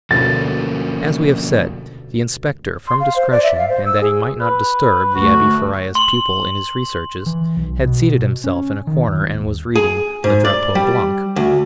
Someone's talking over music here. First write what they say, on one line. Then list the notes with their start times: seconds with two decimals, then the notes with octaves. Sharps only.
As we have said, the inspector, from discretion, and that he might not disturb the Abbe Faria's pupil in his researches, had seated himself in a corner, and was reading Le Drapeau Blanc.
0.11 D2 B2 D3 F3 A#3 C#4 A6
2.87 C6
3.00 F5
3.16 C5
3.31 D5
3.43 E5
3.58 F5
3.69 C5
3.85 E6
4.01 G#4
4.40 B4
5.15 D2 A3 F#4
5.95 C6 F#7
7.26 E3
7.57 B1
7.85 B2
8.44 C#4
8.87 D#3
9.08 D#1
9.75 G#4
10.24 G#2
10.45 D5
10.75 G3
11.36 D2